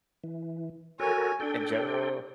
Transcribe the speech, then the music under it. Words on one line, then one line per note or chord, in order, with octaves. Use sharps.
in general."
E3
F#4 A4 A#4 C#5 G#5
D4 A4 G5